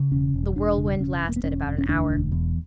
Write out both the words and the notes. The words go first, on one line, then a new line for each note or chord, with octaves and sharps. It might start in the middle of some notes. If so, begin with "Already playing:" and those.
The whirlwind lasted about an hour.
Already playing: C#3
E1 C#4
E1
E1 D4
C#3
E1 C#4
E1
A#3
B3
E1 C#4
E1
C#4
D2 D4
E1
E2